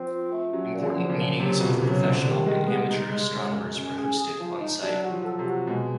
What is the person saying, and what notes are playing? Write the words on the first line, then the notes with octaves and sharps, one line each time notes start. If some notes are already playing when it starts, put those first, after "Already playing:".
Important meetings of professional and amateur astronomers were hosted on site.
Already playing: F3 C4
F4
A3
F#3 C#4
A#2
D3
F3
C#3
A#2
C3 F#3
F2 B2
C#3 F#3
F2 D3
D#3 G3
D#3 G#3
G#3 B3
G#3 D#4
G#3
F#2
F#2
C#4
G#4
G#4
F3
D#4
F#3 D4
F#4
F3
A4
C3
F#4
B2 G#3